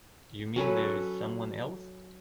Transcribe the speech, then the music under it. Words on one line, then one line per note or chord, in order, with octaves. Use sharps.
You mean there's someone else?
F#3 C#4 A4 B4